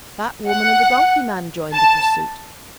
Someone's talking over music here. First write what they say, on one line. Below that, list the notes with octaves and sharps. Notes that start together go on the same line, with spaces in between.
The fat woman and the donkey man joined the pursuit.
F#5
A5